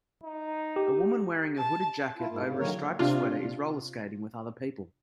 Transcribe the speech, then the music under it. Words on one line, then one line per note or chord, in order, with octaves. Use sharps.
A woman wearing a hooded jacket over a striped sweater is rollerskating with other people.
D#4
G4
A5
E4 F4
G#2 A#3
C#3
D3 D#3 F#3 A#3 A#4 C#5
C3 D4 F4